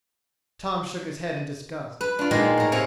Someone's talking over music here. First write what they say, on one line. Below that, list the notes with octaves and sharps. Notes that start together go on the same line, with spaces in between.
Tom shook his head in disgust.
B4
D4 F4
A#2 D#3 G#3 A#3
A2 A#4
C3 A#4 C#5 F5 G#5